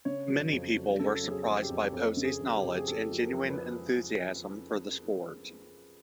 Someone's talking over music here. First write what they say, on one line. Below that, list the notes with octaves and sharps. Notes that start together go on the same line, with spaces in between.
Many people were surprised by Posey's knowledge and genuine enthusiasm for the sport.
C#3 C#5
F#3
F2
F#3
C#3 A4
F#3
G#4
F2
G4
F2
F2 A4
C#3
G#4
F2
G4
F2
G#4
F2 A4
F3
A#4
F3
B4